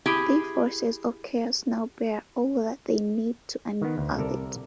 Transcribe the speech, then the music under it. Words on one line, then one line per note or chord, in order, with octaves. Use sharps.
The forces of Chaos now bear all that they need to unearth it.
E4 G4 G#4
D#3 B3
D2
C2 C3 A4 A#4 D5